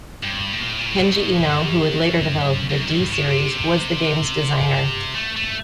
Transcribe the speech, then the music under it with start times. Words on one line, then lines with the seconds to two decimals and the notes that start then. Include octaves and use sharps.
Kenji Eno, who would later develop the "D" series, was the game's designer.
0.23 G2
0.53 A2
0.61 A#2
0.70 A2
0.79 A#2
0.86 A2
0.96 A#2
1.04 A2
1.46 F#2
2.69 F#2
2.89 G2
3.10 A2
3.30 C3
5.15 A3
5.36 A3